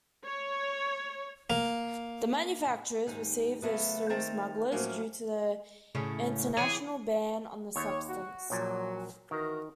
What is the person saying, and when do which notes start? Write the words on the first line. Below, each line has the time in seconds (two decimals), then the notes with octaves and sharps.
The manufacturers receive this through smugglers, due to the international ban on the substance.
0.24 C#5
1.50 A#3
3.07 D#2 G#2 D#4
3.62 C#3 F#3 A3 B3
4.09 D#3 A3 C4 A5 A#5
4.72 A2 F3 F#3 A#3 C#4
5.95 A2 C#3 C#4
6.57 E3 G#4 C#5
7.76 D#2 C#5
8.09 F#4
8.50 A#1 A#2 F#3
9.31 D#3 E3 F#4 A#4